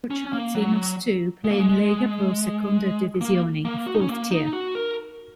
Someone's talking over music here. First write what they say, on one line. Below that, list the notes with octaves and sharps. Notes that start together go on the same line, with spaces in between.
Crociati Noceto play in Lega Pro Seconda Divisione, the fourth tier.
C#4
A#3
F#3
G#3
A#3
G#3
A#3
A#3
F#4
D#4
C#4
A#3
D#4
F#4
A#4